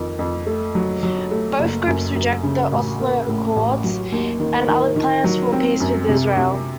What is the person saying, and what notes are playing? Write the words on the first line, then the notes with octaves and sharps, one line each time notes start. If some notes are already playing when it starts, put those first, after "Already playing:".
Both groups reject the Oslo Accords and other plans for peace with Israel.
Already playing: F2 D#3
F2
A3
F#3
F#3
A3
F#1
F#2
F#2
C#3
A1
A#3
A2
A1
F#3
D#2
D#3
D#3
D#3
F#3
C4
F#2
C3
C3